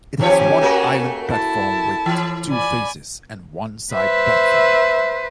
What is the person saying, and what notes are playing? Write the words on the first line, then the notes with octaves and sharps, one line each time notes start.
It has one island platform with two faces, and one side platform.
D#2 F3 C#4 G4 C#5 G#5
A3 A#3 F#4
E4 A5
E3
D5 G#5 B5
B4 C5 E5